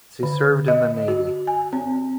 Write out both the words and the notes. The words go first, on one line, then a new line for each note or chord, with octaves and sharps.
She served in the Navy.
D3
D#5
F#4
G#5
C4